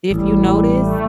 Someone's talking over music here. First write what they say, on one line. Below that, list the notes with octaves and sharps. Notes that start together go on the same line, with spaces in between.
if you notice,
A1 A2 G3
A3